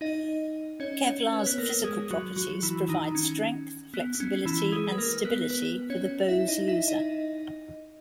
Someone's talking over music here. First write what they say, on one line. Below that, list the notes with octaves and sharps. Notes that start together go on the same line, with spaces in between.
Kevlar's physical properties provide strength, flexibility, and stability for the bow's user.
D#4 D#5
C#4 C#5
C#4 C#5
B4
C#5
B3 B4
A#3 A#4
G#3 G#4
F#3 F#4
F#3 F#4
E3 E4
D#3 D#4
C#4
B3
B3
C#4
E3 E4
G#3 G#4
B4
A#3 A#4
B3 B4
B3 B4
C#4 C#5
E4 E5
D#4 D#5
E4 E5
D#4 D#5